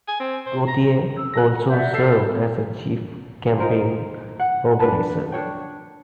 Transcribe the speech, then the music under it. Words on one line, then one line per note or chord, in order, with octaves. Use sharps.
Gauthier also served as the chief campaign organizer.
G#5
C4
C5
A#5
E6
F#6 A#6
F#5
D5 E5 F#5 G6
A4 D5 E5 C7
E4
D#4 F4 A#4 C5
F#5
D4 A4 B4 A5
D4 F#4 C#5 G5